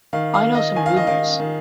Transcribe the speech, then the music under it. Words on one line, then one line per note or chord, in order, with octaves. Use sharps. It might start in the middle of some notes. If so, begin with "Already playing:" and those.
I know some rumours.
D#3 F5
F5
D#3
D#5
D#3 G#5
F5
D#5
D#3 F5
D#3